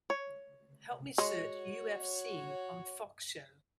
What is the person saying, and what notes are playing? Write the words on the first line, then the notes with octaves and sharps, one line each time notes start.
Help me search UFC on Fox show.
C#5
G#3 F#4 C#5